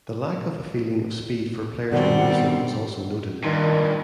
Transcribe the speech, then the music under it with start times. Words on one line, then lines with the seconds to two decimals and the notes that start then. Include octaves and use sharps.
The lack of a feeling of speed for players when racing was also noted.
1.92 B2 D#3 G3 C4 D5 F#5
3.44 G2 A#2 D#3